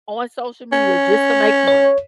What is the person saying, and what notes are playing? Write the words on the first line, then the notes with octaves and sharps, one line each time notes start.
on social media just to make money.
C#4
C#5